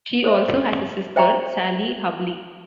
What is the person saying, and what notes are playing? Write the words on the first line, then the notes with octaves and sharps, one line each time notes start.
She also has a sister, Sally Hubley.
A4 C5 E5
C5 E5 G5 A#5 C#6